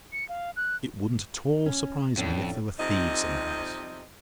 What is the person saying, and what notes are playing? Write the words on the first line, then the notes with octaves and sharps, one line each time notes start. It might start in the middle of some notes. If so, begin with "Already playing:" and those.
It wouldn't at all surprise me if there were thieves in the house.
C#7
F5
F#6
C#4
F2 A2 C#4 D4
F2 C3 G3 D#4 D#5